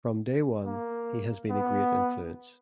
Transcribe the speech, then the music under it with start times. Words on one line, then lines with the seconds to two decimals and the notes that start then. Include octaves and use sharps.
From day one he has been a great influence.
0.66 A#3
1.50 B3